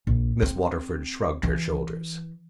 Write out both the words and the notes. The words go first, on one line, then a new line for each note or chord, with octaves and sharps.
Miss Waterford shrugged her shoulders.
A#1
C4
E3